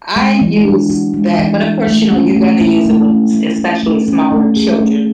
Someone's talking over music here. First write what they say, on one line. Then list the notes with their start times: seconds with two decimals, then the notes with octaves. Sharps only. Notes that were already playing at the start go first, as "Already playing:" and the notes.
I use that, but of course, you know, you gonna use it with s especially smaller children,
0.16 G#3
0.41 E3
0.65 D4
0.90 F#4
1.14 G#3
1.39 E3
1.63 D4
1.87 A3
2.12 C#4
2.36 A3
2.61 E4
2.86 A3
3.10 C#4
3.34 A3
3.59 E4
3.83 A3
4.08 C#4
4.32 A3
4.57 G#4
4.81 A3